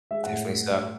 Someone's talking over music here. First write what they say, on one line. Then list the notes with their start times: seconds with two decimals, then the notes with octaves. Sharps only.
Definitely suck.
0.11 G#3 E5
0.24 A2 F#5